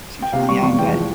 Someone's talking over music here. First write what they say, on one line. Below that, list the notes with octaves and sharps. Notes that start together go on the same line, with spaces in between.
she was really young, but,
G5
C3 F5
G3 C#6
F1 C#6
E2 G5
F3